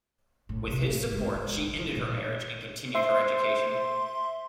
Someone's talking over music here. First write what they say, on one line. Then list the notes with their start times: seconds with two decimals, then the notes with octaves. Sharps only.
With his support she ended her marriage and continued her education.
0.49 A2
0.68 C3
0.83 A1
1.12 G#2
1.35 E3
1.53 A3
1.67 D#3
1.80 D#3
1.95 A#2
2.95 C5 E5 C6